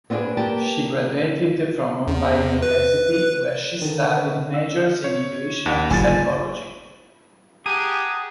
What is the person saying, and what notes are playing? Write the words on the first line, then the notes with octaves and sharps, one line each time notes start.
She graduated from Mumbai University where she studied Majors in English and Psychology.
B3 C4 D4 F4 G#4 B4
A#3 G4 A5
E2
B4
D3 D#3
E6
C#5
D#2 F#5
F#1 G2 G#3 F4 G#5 A6
G4 G#4 F#5 A5 A#5 D#7